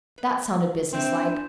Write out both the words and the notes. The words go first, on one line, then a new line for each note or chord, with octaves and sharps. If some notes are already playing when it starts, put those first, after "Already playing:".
That sounded business-like.
B4
A2 C4 D4 E5 G5 C6 G6 E7